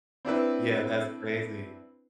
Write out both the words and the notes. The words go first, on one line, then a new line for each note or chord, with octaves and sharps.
Yeah. That's crazy.
C4 D4 E4 B4